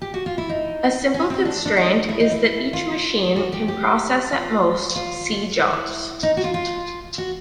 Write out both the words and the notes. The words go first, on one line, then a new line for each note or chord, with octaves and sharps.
A simple constraint is that each machine can process at most "c" jobs.
G4
F#4
F4
E4
D#4
C#4
C4
D4
D4
D#4
E4
D#4
E4
F4
F#4
G4
G4
F4
F4
E4
D#4
F#4
F4
F4
F#4